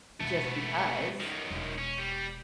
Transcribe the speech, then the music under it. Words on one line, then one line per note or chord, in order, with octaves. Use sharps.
just because.
E1 A3 B3
F#2 D#3
E1
C#4
G3